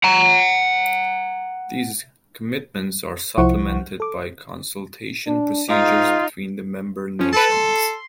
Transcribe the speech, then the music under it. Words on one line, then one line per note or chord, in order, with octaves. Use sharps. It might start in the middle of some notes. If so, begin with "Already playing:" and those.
These commitments are supplemented by consultation procedures between the member nations.
F#5 A#5
C2 F3 E4 C5 F#5 C#6
A4 D6
D4
G#2 D#4 F4
F3 C#4
A4 B4 A5
C6